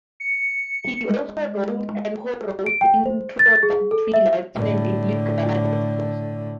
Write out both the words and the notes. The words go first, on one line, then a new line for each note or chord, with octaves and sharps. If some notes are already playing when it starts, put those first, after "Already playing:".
He also wrote and co-wrote introductory Latin and English grammar text books.
C#7
G#3
D7
G5
C5
A6
G#4
A4
E5
A2 D3